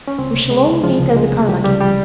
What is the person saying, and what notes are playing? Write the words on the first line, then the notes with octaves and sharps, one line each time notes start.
We shall all meet at the Karagins'!
C#4
C#2 C4
C3
G#3
C#2
F3 G#3 F4
C#2
G#3
C3
E3 G3 G4
C#2 G3 G4
G3 G4